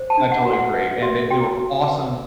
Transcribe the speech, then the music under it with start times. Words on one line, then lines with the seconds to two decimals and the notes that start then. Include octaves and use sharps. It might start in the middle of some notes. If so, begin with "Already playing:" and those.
I totally agree and they they were awesome,
Already playing: C5
0.10 A5
0.17 D4
0.32 F#5
0.45 F#4
0.53 F#5
0.74 B4 E5
1.02 F#4 E5
1.31 F#4 G5
1.60 F#4
1.88 B4